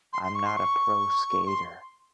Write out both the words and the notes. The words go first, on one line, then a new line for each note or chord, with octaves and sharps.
I'm not a pro skater,
C6
C6
C#6
C6
C#6
C6